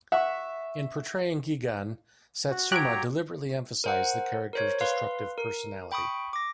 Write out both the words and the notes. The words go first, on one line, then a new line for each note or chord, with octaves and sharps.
In portraying Gigan, Satsuma deliberately emphasized the character's destructive personality.
E5 F#5 C#6
F#4
F#3 G4 C#5 A#5 F#6 G#6 D7
A#4 C5 F#5
A#4 C5 C#5
B4 F5 C6
A#4
G5 B5 C#6 D#6
D6 A#6